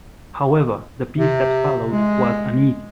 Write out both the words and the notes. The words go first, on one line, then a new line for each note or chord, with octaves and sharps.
However, the peace that followed was uneasy.
C3
G#3